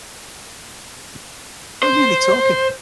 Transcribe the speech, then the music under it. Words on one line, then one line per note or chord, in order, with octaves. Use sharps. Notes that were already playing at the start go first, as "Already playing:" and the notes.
We were merely talking.
C5